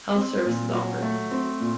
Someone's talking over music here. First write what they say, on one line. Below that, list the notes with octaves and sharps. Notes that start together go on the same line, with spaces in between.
Health service is offered.
C4
A#2
F#3
A3
C4
A#2